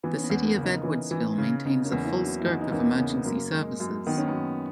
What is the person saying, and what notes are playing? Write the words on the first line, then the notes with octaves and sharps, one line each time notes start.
The city of Edwardsville maintains a full scope of emergency services.
E3 B3
C#4
B3
E2
A#3 C#4
C#3
B3 D#4
E3 C#4 E4
E3
C#3
C#3 B3 D#4
A#3 C#4
E2
C#4 E4
F#3
C#4 E4
E4
E2 B3 D#4
D#4
E2 A#3 C#4
C#3 B3
F#2 A#3
G#3
F#2
D#3 B3
C#4
F#2 B3